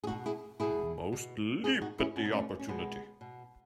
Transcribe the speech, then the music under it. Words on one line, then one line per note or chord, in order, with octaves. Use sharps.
Most leap at the opportunity.
G#4
B2 D#4 F#4
E4 G#4
B2 E4 G#4
B2
B2 E4 G#4
D#4 F#4
C#4 E4
B2 C#4
D#4
A3 C#4
C#4
B2 G#3 B3
B2